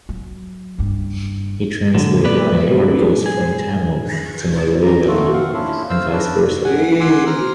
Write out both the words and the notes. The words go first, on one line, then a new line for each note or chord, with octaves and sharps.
He translated many articles from Tamil to Malayalam and vice versa.
F#3
F#1 G2
A#2 D3 F#3 G#3
B3 B4 D5
G#4
G#4 D5 A#5
A3 A#3 F4 F#4 A4
C4 F5 F#5 C#6
A#3 C#4 D4 E4 F4
C5 F5 E6
C#4 D4 B4 D5 E6
F#5 G#5
F#5 G#5 C6 D6 E6
C5 A#5 F6